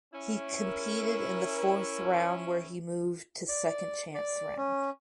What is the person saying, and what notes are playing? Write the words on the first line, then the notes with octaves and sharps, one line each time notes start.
He competed in the fourth round where he moved to "second chance" round.
C#4 E4
A#4
D5
D5
C#4